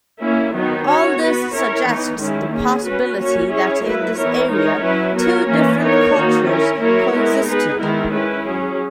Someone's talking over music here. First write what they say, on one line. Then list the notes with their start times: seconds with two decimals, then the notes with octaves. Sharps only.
All this suggests the possibility that in this area two different cultures coexisted.
0.21 A#3 C#4 E4
0.54 D#3 F#3 B3 D#4
0.87 C#4 F#4 C#5
1.19 B3 F#4 B4
1.53 C#4 E4 A#4 C#5
1.86 E3 B3 D#4
2.20 D#3 G#3 C#4 E4
2.52 A#3 C#4 G#4
2.84 C#4 F#4 B4
3.18 A#3 C#4 F#4 C#5
3.51 C#4 E4 G#4 C#5
3.84 F#3 A#3 E4 B4
4.17 E3 B3 E4 A#4 C#5
4.50 G#3 D#4 A#4 C#5
4.82 F#3 C#4 E4 B4
5.16 B3 F#4 A#4 C#5
5.50 E3 A#3 C#4
5.82 B3 D#4 A#4 C#5
6.15 D#3 A#3 D#4 F#4
6.48 C#4 E4 A#4
6.81 F#3 A#3 E4 A#4 C#5
7.14 G#3 B3 E4 A#4
7.47 B3 D#4 G#4 B4
7.80 D#3 G#3 B3 E4 A#4
8.13 C#4 E4 B4
8.46 F#3 C#4 G#4